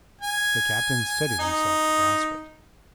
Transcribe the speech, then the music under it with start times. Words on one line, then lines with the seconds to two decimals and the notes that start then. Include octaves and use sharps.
The Captain steadied himself to grasp it.
0.21 G#5
1.39 D#4